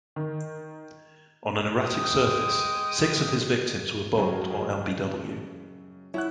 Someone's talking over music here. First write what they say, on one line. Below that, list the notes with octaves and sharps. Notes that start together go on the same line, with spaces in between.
On an erratic surface, six of his victims were bowled or lbw.
D#3
G#3 G5 D#6
F#2 F#3 A#3 A#4 C#5 G5
C#3 G#3
E4 C#5 F#5 F#6